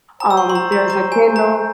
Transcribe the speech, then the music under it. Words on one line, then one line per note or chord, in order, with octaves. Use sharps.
um, there's a kennel
C5 A#5
E6
C#6
C6
A#5
A#5
A#5
G#5
A#5